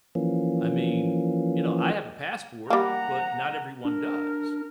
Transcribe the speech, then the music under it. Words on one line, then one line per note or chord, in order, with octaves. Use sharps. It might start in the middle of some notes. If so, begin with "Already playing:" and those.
I mean, you know, I have a passport, but not everyone does.
E3 F3 A#3 C#4
G3 A#3 F#5 A#5
D4 A#4